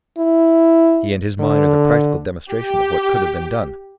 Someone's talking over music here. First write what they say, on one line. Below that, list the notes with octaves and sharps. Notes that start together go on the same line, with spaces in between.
He and his mine are the practical demonstration of what could have been done.
E4
D3
G4